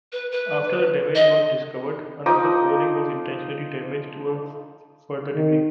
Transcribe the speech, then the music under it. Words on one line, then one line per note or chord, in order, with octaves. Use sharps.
After the damage was discovered, another O-ring was intentionally damaged to a further degree.
B4
B4
D#5
F3 D#4 D6 D#6
D#3